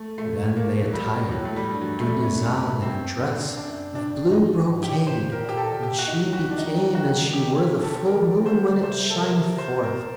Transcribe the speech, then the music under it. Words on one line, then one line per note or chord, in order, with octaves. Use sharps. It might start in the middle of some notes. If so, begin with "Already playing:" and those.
Then they attired Dunyazad in a dress of blue brocade, and she became as she were the full moon when it shineth forth.
Already playing: A3
A#2 A3
A#2 A#3
F#3
G3
G2
A2 F#3
A3
G3
G2
F#3
A3
F#2 G3
C4
D4
F#2 D4
G2 D4
A2
G2 D#4
A2
G2
A2 G4
A#2 C5
A#4
A2
A#2 G4
A4
D3
C3 G4
F#4
D#4
F#3
F#4
D4
D#3 D#4
F#4
G4
A4
D#3 A#4
D3 C5
C3 C5
A4
A#4
C5
A#4